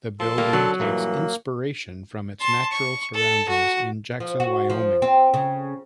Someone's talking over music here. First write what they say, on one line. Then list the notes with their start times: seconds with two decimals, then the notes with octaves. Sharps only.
The building takes inspiration from its natural surroundings in Jackson, Wyoming.
0.20 F3 A4 A5 C6
0.38 G3 A#3
0.53 F#2 D3 F#3
0.80 A#1 G2 E3 A#3
2.41 A5 C6
2.72 C#6
3.14 A4
3.49 F#4
4.20 F3
4.40 F#4
4.70 F3
5.02 C4
5.34 C#3